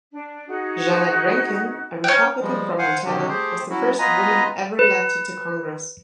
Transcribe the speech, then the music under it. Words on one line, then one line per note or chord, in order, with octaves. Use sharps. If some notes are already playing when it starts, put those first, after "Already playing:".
Jeannette Rankin, a Republican from Montana was the first woman ever elected to congress.
D4
D#4 F#4 G#4
C#4 G5
F3 G3 G#3
C5 F5 F#5 G#5
B2 D3 D#3 C#4 G4
A3 G4 G#4 C5
F#3 C#4 E4 F#4
B3 F4 B4 D#5 G#5 A#5
B4